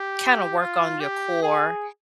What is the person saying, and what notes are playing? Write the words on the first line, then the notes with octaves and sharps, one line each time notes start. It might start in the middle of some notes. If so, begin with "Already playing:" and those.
kinda work on your core,
Already playing: G4
F4
G4
G#4